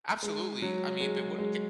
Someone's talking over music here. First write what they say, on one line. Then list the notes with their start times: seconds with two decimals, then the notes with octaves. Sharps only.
Absolutely, I mean, but what okay.
0.23 G#3
0.62 F#3
1.01 G#3
1.39 G#3